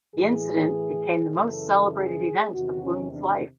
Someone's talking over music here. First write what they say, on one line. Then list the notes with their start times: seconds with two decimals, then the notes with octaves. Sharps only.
The incident became the most celebrated event of Boone's life.
0.15 A2 E3 G#4
1.34 F#2 C#3 E3 A4
1.95 G#4
2.53 E2 C3 D#3 F#4
2.84 C#4
3.13 D4